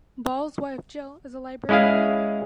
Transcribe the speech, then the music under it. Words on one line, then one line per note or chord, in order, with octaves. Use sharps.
Ball's wife Jill is a librarian.
G#3 C#4 E4 G#4 F5